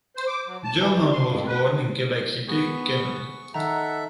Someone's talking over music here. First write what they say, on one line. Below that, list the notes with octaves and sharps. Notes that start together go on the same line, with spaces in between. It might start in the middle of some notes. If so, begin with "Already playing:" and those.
Gillman was born in Quebec City, Canada.
C5
D6
F#3
A5
E3
C3
C6
F2
B4
B3 G#4 C#6
D#3 A4 E5 F#5 A#5